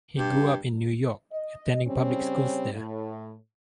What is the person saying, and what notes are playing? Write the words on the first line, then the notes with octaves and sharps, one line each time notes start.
He grew up in New York attending public schools there.
G2
D#5
C#3 G3 C4 C#4
A2